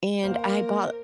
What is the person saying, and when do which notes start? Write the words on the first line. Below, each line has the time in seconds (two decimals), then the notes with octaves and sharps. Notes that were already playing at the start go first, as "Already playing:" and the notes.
and I bought
0.24 A#3 A#4 C5 F5